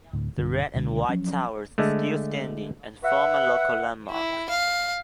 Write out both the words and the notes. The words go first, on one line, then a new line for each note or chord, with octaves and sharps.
The red-and-white towers are still standing and form a local landmark.
D1 D2 A2
B1 G2 D3
C#2 B2 D3 G#3
F3 F#3 C#4
D3 G#3 A3
B4 E5 F#5
E4
F5